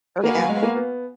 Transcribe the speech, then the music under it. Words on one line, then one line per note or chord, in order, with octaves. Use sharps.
Oh, yeah.
A#3 B3 F#4 B4 F5 G#5
F#3
G#3
A#3
B3